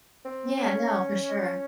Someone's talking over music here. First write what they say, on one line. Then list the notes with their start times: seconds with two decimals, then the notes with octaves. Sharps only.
Yeah, no, for sure.
0.25 C4
0.58 C#4